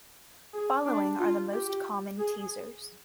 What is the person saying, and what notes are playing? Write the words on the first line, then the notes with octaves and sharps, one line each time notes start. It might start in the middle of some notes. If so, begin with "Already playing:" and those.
Following are the most common teasers.
G#4
D4
F4
G4
G#4